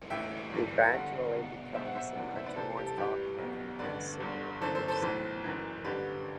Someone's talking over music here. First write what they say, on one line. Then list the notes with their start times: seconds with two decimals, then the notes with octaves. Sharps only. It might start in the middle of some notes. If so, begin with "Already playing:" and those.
He gradually becomes a much more thoughtful and considerate person.
0.10 A1 A2 E3 E5 G5
0.52 G1 G2 E3
0.92 G1 G2 D3 D5 F#5
1.33 C2 B2
1.74 B1 B2 C5 E5
1.85 F#5
1.95 C5 E5
2.15 F#1 E2 C3 E3 D5 F#5
2.35 C5 E5
2.46 B4 D5
2.56 C2 C3 E3 A4 C5
2.77 G4
2.86 A4
2.97 A1 G2 E3 G4 B4
3.38 B1
3.43 B2
3.79 A1 G2 D3 B4 D5
4.20 G1 G2 D3
4.61 G1 F#2 E3 A4 C5
4.75 A4 C5
4.88 A4 C5
4.96 B4
5.02 B1 A2 E3 A4 C5
5.44 F#1 F#2 E3
5.84 A1 G2 D3 G4 B4